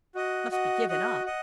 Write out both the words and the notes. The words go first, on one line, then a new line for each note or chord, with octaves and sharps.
"Must be given up?"
F#4 D#5 F#5
F#4 D#5 F#5
F#4 D#5 F#5
D#5 F#5